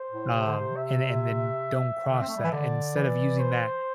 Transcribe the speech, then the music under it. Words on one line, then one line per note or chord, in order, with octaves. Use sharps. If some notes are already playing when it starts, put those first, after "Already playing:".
um, and and then don't cross that. Instead of using that
Already playing: C5
A2
C3
D3
C3
E5
D3
C4
A3
G3
E3
D3 D5
E3
C5